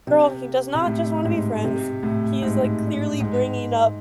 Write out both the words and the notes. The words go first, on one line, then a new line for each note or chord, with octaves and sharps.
"Girl, he does not just wanna be friends. He is, like, clearly bringing up
C3
C3
A2
G#2
C3
A2
G#2
G#2